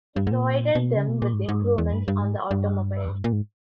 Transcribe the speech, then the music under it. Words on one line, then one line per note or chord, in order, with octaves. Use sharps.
He provided them with improvements on the automobiles.
G2
G#2
A#2
B2
C#3
B2
A#2
G#2
G#2
G2
E2
G2
G2
G#2
G2
E2
G2
A#2
G#2